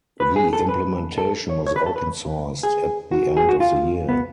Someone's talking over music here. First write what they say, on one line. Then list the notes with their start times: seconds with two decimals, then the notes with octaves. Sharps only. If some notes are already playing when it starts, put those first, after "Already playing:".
The implementation was open-sourced at the end of the year.
0.20 B4
0.36 G#4
0.53 A4
0.69 B4
1.18 A4
1.50 C#5
1.67 C#5
1.76 B4
1.86 A4
1.96 B4
2.63 G#4
3.12 F#4
3.37 G#4
3.49 F#4
3.60 F4
4.09 B3